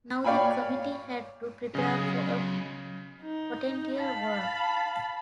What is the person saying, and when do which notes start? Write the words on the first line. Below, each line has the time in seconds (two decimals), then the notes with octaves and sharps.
Now, the committee had to prepare for a potential war.
0.24 C#5 D5 F5 G5 G#5 B5
1.75 C#3 F#3 G#4 D#5
3.22 D#4
3.98 F5 A5 B5